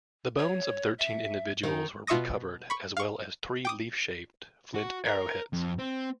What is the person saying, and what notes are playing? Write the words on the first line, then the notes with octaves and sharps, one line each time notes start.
The bones of thirteen individuals were recovered as well as three leaf-shaped flint arrowheads.
C#5
E5
D#3 D#4
B2 F4 E5 C#6 D#6 A#6
B5 C#6
F5 C#6
G5 D6 D#6
F#4
A#4
F2
C4